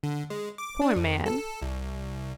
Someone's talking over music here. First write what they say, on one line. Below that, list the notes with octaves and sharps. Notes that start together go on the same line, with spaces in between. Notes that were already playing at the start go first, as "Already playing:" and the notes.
Poor man!
D3
G#3
D6
D4
F2
A4
C2